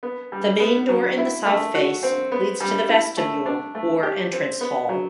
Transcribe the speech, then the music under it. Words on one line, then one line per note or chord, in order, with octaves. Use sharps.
The main door in the south face leads to the Vestibule or Entrance Hall.
B3
G3
B3
F#3
E4
A3
F#4
C4
B3
G3
E4
A3
D4
A3
G4
C4
B3
F#3